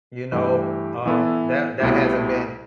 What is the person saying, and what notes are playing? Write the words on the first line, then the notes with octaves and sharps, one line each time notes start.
you know, um, that that hasn't been
G2 E3 A3 E4 G4
E3 B3 E4 A4
C2 B2 A3 E4 G4